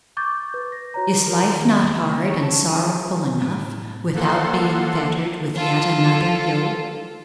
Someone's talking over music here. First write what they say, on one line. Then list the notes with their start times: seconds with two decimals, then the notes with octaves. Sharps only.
Is life not hard and sorrowful enough without being fettered with yet another yoke?
0.17 C#6 D6 G6 A6
0.54 B4
0.72 A#6
0.94 F#4 C#5 A#5
1.27 A#4
1.43 D#3
2.02 C#3
2.25 C#5
2.42 A4
2.68 G#4
3.40 A2
4.14 F3 A#3 A4 F#5 C6
5.55 F4 A4